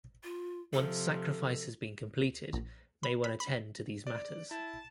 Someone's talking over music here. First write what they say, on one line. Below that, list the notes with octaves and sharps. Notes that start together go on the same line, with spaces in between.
Once sacrifice has been completed, may one attend to these matters.
F4
C3 F3 A4
A#1
B5
B5
B5
D5
E4 A5